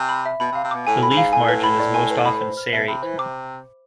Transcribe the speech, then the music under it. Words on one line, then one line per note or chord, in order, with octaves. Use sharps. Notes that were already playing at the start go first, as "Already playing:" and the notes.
The leaf margin is most often serrate.
Already playing: C3 G#5
B5
E5
B2 B5
C3
F5
C3
B2 D6
A2 G#5
B5
G#2
F5
A2 G#5
B4
B5
D5
G#5
B4
B5
C5
F6
B2 E5
C3 B5
E3 C5
C3 D6